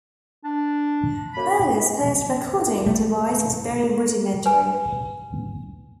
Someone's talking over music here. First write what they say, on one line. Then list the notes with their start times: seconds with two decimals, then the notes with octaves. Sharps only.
Berger's first recording device was very rudimentary.
0.44 D4
1.34 F#2 A#3 B5
2.86 A3
4.46 B4 G#5